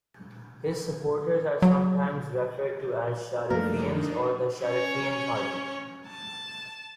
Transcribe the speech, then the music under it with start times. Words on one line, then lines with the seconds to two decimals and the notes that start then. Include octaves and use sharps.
His supporters are sometimes referred to as "Sharifians" or the "Sharifian party".
1.62 F#3
3.50 F#2 F3 G3 A3 A#3 D4 D#4 A#4
4.64 C#4 C#5
6.07 A5